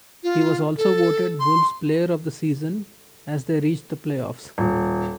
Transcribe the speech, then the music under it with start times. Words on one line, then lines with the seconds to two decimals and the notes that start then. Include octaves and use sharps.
He was also voted Wolves' Player of the Season as they reached the play-offs.
0.23 F4
0.78 A4
1.40 C6
4.58 D#1